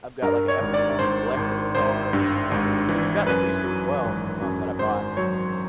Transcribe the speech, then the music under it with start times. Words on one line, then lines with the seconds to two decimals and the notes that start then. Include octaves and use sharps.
I've got like an Epiphone electric guitar. Um, I've got an acoustic as well, um, that I bought,
0.22 G2 A#4
0.48 C#5
0.61 G#1
0.74 D5
0.99 G#1 C5
1.37 G#1
1.75 G#1 C5
2.13 G2
2.51 G#1
2.89 E3
3.27 F#2 B4
3.65 F#3
4.03 G#1
4.41 F#2
4.79 G#1 C5
5.17 F#3 C#5